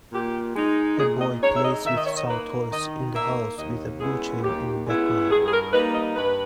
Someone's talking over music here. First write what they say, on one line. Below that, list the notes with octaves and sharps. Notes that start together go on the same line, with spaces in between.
A boy plays with some toys in the house with a blue chair in the background.
A#2 G4
G#3 D#4
A#2 G#4
D#5
G#3 D#4 C#5
E5
D#5
D#3 E5
D#5
C#5
D#5
A#3 D#4 B4
D#3 D#5
A#3 D#4 E5
D#2 D#5
C#3 G#3 B3 E4 G#4
D#2 G4
C#3 G#3 B3 E4
G2 G#4
G#4
A#4
G3 A#3 D#4 B4
D#5
G2 B4